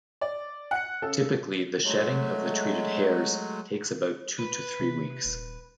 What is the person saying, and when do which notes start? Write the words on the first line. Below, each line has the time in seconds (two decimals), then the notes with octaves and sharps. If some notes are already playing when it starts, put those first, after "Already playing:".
Typically the shedding of the treated hairs takes about two to three weeks.
0.21 D5
0.71 F#5 C#7
1.02 C#3 A4
1.84 F#3 G#3 A3
4.39 B4
4.80 C3
5.25 D#1